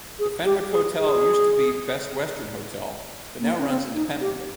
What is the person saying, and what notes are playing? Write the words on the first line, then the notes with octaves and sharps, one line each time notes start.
The Fenwick Hotel used to be Best Western Hotel but now runs independently.
G#4
G4
G#4
G#4
A#3
C#4
C4
D#4
G4